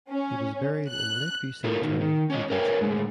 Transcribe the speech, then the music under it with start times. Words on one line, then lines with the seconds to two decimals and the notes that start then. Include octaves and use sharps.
He was buried in Lakeview Cemetery in Bridgeport.
0.11 C#4
0.90 F#6
1.64 E4 F4 A4 A#4
1.81 B2 D#3
2.01 D#3
2.30 C#4 D4 C#5 D#5
2.50 A#4 B4 C#5 E5 G5 G#5
2.81 A2 D3 G#3